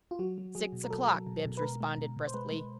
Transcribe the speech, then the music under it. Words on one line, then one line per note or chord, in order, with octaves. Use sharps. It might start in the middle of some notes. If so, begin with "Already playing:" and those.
"Six o'clock," Bibbs responded, briskly.
F4
F#3 F#4
F#3
F#3 G#4
B2
A#4
F#3 A4
F#3
B2
B2
B4
G#3 A#4
G#3
B2
B2
C5
G#3 B4
G#3